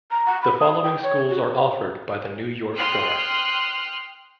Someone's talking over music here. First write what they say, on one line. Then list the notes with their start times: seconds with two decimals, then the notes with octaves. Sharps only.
The following schools are offered by the New York Guard.
0.11 A#5
0.26 F#5
0.42 B5
0.60 D#6
0.84 G5
1.04 C#5
1.30 F#4
2.77 G5 C6 D#6 F6 F#6